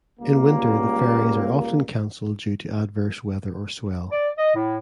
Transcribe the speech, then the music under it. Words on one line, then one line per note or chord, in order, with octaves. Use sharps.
In winter the ferries are often cancelled due to adverse weather or swell.
C#2 G3 A#3
D5
D#5
A2